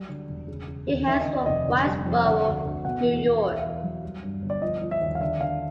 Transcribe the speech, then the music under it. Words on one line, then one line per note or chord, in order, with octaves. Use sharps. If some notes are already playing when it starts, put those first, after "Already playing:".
He hails from Whitesboro, New York.
Already playing: F#3 G3
D3
E1
C#3
C#3
D#2
D#3 E5
D#5
D#3
D5
F1 D#5
D3
G3
F2
D3 F#5
D2
D2
B2 F#5
E2
B2
E2 F5
E5
E2 F5
F#3
G3
G2
G1
D5
F3 D#5
F3
E5
D#2
F5
D3 E5
D3 F5